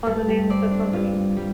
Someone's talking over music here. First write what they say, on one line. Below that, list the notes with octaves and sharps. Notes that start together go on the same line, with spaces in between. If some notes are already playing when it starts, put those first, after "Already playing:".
on the name of the company.
G2 A4
G4
C4 D5
D4
G2 F4
G3